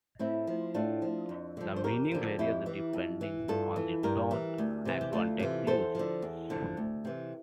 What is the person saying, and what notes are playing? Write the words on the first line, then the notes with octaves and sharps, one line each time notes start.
The meaning varies depending on the tone and context used.
A2 C4 E4
F3
A2 D4 F4
F3
F2
D3 F3
C5
F2 G4 A#4
D3 F3
F2 E4 G4
E3
F2
E3
G2 F4 A4
E3
G2 G4 A#4
E3
D2
C3 E3
G4
D2 F4 A4
C3 E3
E2 A4 C5
D3 F3
E2
D3 F3
D2
C3 E3